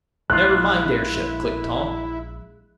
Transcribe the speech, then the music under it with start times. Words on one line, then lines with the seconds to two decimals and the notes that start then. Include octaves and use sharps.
"NEVER MIND AIRSHIP," clicked Tom.
0.30 A#1 G#3 E4 F4 F#6